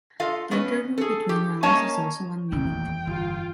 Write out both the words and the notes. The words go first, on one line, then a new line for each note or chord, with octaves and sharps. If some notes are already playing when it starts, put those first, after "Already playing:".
The interval between rounds is also one minute.
F4 A4 D#5 F5
B3 C#4 B4 D#5
G#4 A4
G4
A#3 C#4 C#5 D#5 A5
D#1 A1 F2 E3 G5
G1 F4